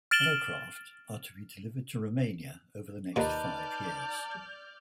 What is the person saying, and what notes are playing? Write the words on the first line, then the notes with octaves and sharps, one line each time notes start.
Aircraft are to be delivered to Romania over the next five years.
F6 A6 D7 E7 F#7 G7
D#2 A#2 D#4 B4 D5 A5 F6 G6